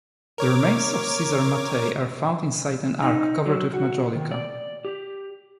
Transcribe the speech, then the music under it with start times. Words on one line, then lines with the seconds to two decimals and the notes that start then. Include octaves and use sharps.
The remains of Cesare Mattei are found inside an ark covered with majolica.
0.38 A#4 C#5 D6
3.02 D#4
3.46 F#3
3.74 F#4
4.15 D#3
4.31 D5
4.85 G4